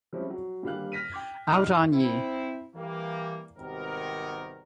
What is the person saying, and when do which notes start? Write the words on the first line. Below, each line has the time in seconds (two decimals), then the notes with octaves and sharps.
Out on ye!
0.13 F3 G3 G#3 C4 C#4 E4
0.30 F#3
0.63 D#1 D3 G3 A#3 F5 F#6
0.92 F6 A#6 B6 D#7
1.12 G5 D6 G#6
1.52 B1 D#5 C6 F6 F#6 F7
1.91 C4 E4
2.75 E3 G3 A#3
3.57 G#1 C3 D#3 G3 B3 A#4